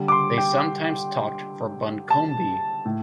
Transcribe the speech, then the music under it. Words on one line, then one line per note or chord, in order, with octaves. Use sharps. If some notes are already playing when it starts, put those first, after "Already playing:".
They sometimes talked for Buncombe.
Already playing: D3 G3
D6
C6
G5
A5
A2